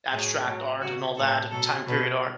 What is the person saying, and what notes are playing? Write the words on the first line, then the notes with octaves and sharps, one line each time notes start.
abstract art and all that and time period art.
A2 F#3 G#4
A2 F#3
C#3 F#3 F#4
A2 E3 A4
B2 F#3 A4
B2 F#3 B4